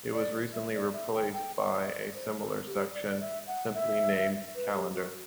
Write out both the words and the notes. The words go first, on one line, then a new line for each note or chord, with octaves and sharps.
It was recently replaced by a similar section simply named "Calendar".
D5
E5
D5
E5
G5
G5
F#5
E5
D5
C5
A4
G4
D5
D5
E5
F#5
E5
B4
G4
F#4